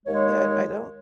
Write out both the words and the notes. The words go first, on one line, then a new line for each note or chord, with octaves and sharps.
yeah, r I don't
D#2 G#3 C#5